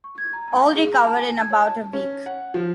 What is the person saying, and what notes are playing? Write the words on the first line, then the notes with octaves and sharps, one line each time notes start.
All recovered in about a week.
C#6
G#6
A#5
A#5
F5
G#4
A#5
A5
G#5
G#6
C#5
A5
C#4
F#5
F3